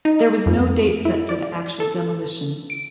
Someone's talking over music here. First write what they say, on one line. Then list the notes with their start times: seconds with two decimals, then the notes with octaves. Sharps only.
There was no date set for the actual demolition.
0.05 D#4
0.46 F2
1.05 E4
1.29 D5
1.80 A4
2.70 D7